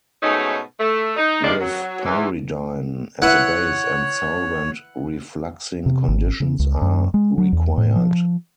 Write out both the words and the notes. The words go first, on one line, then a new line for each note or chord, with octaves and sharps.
With pyridine as a base and solvent, refluxing conditions are required.
G#2 B2 A3 C#4 D#4
A3
D#4
A2 D#3 F3 G#3 D4 D5
F#3
E2 E3
E4 B4 C#5 E5 F#5
C3
G#1
C#3
C#2
F#2
G#3
F#3
E2
A2
F3